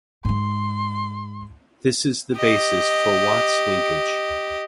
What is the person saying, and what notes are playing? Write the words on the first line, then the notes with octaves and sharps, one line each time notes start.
This is the basis for Watt's linkage.
G#2 G#3 C6
G4 D#5